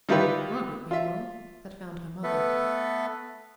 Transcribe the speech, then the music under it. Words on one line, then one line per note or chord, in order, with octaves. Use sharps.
Margaret meanwhile had found her mother.
D#3 G3 E4 F4 G4 B4
F4 E5
A3 B3 A4 B4